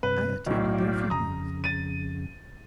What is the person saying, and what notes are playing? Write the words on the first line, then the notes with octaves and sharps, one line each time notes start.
I attended their funerals.
G2 C3 B4
B1 A2 D5 F5 G5
F2 C#3 A#5 D#6
A6 D#7